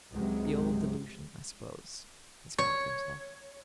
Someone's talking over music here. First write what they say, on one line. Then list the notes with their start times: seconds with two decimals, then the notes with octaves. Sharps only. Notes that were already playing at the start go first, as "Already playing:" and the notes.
"The old delusion, I suppose," he smiled to himself.
0.11 C#2 G#2 C3 F#3 G#3
2.58 C#5